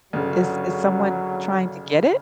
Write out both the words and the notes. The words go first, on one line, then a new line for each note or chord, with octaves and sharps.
Is is someone trying to get it?
G1 C#3 F#3